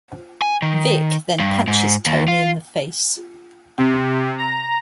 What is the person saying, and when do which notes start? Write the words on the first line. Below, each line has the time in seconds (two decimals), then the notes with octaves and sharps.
Vic then punches Tony in the face.
0.42 G#5
0.62 D#3
1.40 G2
1.68 G#2
2.06 D#2
2.28 F4
3.78 C3
4.38 A#5